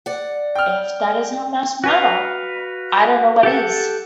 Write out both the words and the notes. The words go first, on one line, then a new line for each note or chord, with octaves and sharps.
If that's not mass murder, I don't know what is.
D5 F#5
G5 F6
F#4 B4 F5
G4 A4 F#5 A5